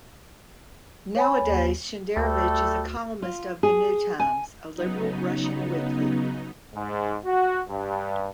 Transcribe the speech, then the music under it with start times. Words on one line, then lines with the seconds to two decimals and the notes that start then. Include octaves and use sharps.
Nowadays Shenderovich is a columnist of "The New Times", a liberal Russian weekly.
1.16 C#5 G#5 B5
1.42 D#2
2.17 D2 G3 A3 A4
3.22 F4
3.63 G#4
4.20 G#5
4.74 C#3 F#3 B3 D#4
6.74 G#2
7.25 F#4
7.68 G2